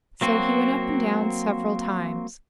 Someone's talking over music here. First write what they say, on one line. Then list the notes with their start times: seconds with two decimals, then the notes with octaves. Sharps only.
So he went up and down several times.
0.21 F#3 A#3 C4 F#4